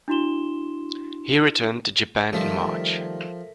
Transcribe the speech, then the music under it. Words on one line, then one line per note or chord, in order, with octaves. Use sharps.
He returned to Japan in March.
D4 E4 F#4 C6 E7 G7
D#3 F3 G3 A3 A4 A#4 E5